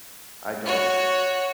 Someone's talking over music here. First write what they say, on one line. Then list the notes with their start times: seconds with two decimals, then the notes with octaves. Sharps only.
I don't
0.65 F#4 C#5